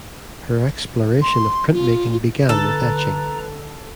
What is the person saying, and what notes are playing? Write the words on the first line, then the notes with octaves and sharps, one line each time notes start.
Her exploration of printmaking began with etching.
C6
F4
D3 A4 B4 A#5